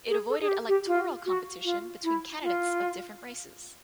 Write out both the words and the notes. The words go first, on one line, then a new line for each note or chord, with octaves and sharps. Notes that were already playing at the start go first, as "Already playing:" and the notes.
It avoided electoral competition between candidates of different races.
G#4
A4
G#4
G4
G4
F4
F#4
F4
E4
F4